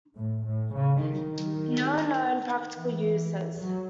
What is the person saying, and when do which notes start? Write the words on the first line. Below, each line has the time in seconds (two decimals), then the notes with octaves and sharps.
No known practical uses.
0.17 A2
0.45 A2
0.74 C#3
1.02 D#3
2.74 E3
3.59 F#3